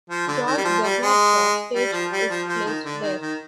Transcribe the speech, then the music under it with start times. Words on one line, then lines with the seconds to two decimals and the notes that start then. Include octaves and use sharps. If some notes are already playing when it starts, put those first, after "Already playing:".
George Bernard Shaw staged his plays there.
0.10 F3
0.27 D3
0.46 D#3
0.57 G3
0.65 F3
0.83 G3
1.02 G#3
1.75 G3
1.92 F3
2.11 G3
2.30 F3
2.48 F3
2.66 D#3
2.84 D3
3.02 D#3
3.21 D#3